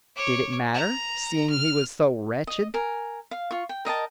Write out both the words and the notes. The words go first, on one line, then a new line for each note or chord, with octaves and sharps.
Did it matter, seeing he was so wretched?
C#5 D6
A#5
F6
D#5
A#4 G#5
F5
F4 C#6
G5
A#4 D#5 G5 A5